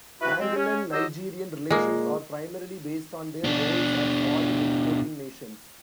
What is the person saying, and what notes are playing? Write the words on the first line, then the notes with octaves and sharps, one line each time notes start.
Angolan-Nigerian relations are primarily based on their roles as oil exporting nations.
E4 F#4 B4
G#3 C4
C#4
F#3 G4 C5 D#5 E6
A#2 G#3 A#3
B2 D4